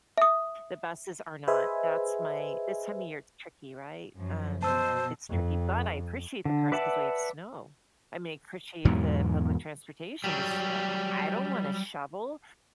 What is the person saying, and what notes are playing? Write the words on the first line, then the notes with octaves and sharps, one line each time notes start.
the buses are not, that's my This time of year, it's tricky, right, um, it's tricky, but I appreciate the cars 'cause we have snow, I may appreciate the public transportation, 'cause, uh, I don't wanna shovel.
E5 D#6
G#4 B4 C5 D#5 E5 G#5
F#2 F3
B2 C5 A5 E6
F2
D3
B4 D5 E5 F#5 A5
E2 G#2 B2 F#3
F#3 G3